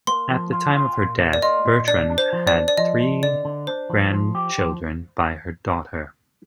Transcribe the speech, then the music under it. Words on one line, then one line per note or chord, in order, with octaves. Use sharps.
At the time of her death, Bertrand had three grandchildren by her daughter.
A#3 C6
F3
F4
F4
A#2
A#3
D5
F4 D#5
A#2
D4 D5
D4
C5
F3
D5
D4
D5
F3 D#5
F3
D3 D5
D3
D4 C5
F3
F3
G4
F3